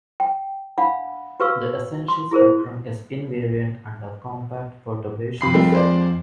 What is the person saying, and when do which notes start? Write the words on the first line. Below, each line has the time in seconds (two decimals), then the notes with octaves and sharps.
The essential spectrum is invariant under compact perturbations.
0.20 G5
0.78 D4 F5 F#5 B5
1.40 F#4 G4 B4 F5 C#6 E6
2.08 C6
2.31 E4 G#4 A#4 C5
5.41 F2 C3 B5 C7
5.54 G3 G#3 C4
5.72 G#3 C5 D5